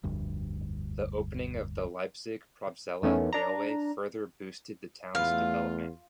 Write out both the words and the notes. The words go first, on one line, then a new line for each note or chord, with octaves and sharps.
The opening of the Leipzig-Probstzella railway further boosted the town's development.
F1 D2 G2
E2 D#3 A3 B3 C#4
D4 A#5
E2 A3 B3 F4 F5